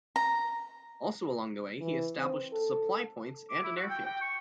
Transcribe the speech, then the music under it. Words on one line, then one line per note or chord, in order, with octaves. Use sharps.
Also along the way he established supply points and an airfield.
A#5
E3
C4
A4
D6
E4
F#4
G5
G5
C#6